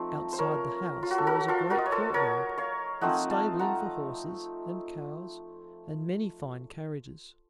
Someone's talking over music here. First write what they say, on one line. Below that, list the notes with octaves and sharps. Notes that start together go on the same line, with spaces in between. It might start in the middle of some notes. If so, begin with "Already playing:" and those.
Outside the house there was a great courtyard, with stabling for horses, and cows, and many fine carriages.
Already playing: F3 A3 C4 D#4 C5
C5
A#4 C#5
F4
F#4
A4
F#4 A#4
F4 A4
F#4 A#4
D#5
C#5
A4 C5
A#4 C#5
C#5 F5
F3 A3 C4 D#4 D#5 F#5
F5 A5
F#5 A#5